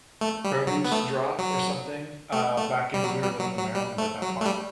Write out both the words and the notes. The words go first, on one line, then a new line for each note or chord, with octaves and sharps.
produce drop or something, uh, back in we were living in Maryland at that point,
A3
G3
F#3
B3
A3
F#3
A3
A3
G3
F#3
G3
F#3
F#3
G3
A3
F#3
A3
G3